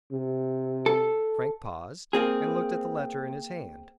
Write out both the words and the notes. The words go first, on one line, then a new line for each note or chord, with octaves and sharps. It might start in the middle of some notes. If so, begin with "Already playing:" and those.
Frank paused, and looked at the letter in his hand.
C3
A4
A#3 C4 G#4